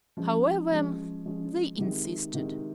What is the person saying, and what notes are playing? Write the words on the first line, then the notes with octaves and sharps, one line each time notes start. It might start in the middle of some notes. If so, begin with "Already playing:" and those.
However, they insisted.
F3 G#3 C#4
F3 G#3 C#4
F3 G#3 C#4
C3 D#3 G#3
C3 D#3 G#3